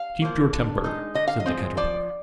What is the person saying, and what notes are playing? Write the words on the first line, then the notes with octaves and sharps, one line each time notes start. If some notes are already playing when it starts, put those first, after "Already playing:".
'Keep your temper,' said the Caterpillar.
Already playing: F5
F3 A#3
D3
G#3 D#4
D3 D#5
F5
D#5
F3 G#3 C4
F3 D5